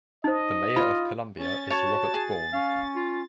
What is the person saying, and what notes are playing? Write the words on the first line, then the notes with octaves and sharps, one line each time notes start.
The mayor of Columbia is Robert Bourne.
D#4 C5 D#5
F4 B5
C#4 A6
F#4 C#5 A5 C#6 A6
G#4
C#4 F5
F4